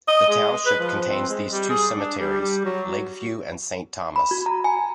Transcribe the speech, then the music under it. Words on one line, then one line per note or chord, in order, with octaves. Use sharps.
The township contains these two cemeteries: Lakeview and Saint Thomas.
D#5
G#3
B4
F3
C4
G#3
G3
G#4
D4
G3
G3
F#3
B5
F#4
A#5
G#5